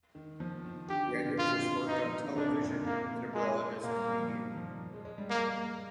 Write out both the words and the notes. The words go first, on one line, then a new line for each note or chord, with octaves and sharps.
Brandon first worked on television and abroad as a comedian.
D#3
F3
D#3
D3 G4
D#3
D3
A#2
G#2 F4
C3
A#2
G#2 D#4
F3
D#3
D3
C3
A#2 D4
C3
G#2
A#2
C3 A#3
G#3
A#2 A#3
G3
G3
F3
F3
D#3
F3
G#3
G#3
G3
A#3